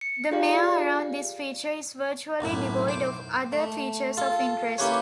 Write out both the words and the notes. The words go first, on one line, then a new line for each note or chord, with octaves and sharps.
The mare around this feature is virtually devoid of other features of interest.
C#7
F4 G4 G#4 D5 F5
B1 F#2 A2 E4
C5 D6
A3
F4 A4
A#3 C#4 E4 G4 B4 C#5